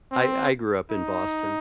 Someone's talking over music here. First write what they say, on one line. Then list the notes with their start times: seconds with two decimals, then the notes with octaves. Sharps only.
I I grew up in Boston.
0.12 C4
0.91 D#4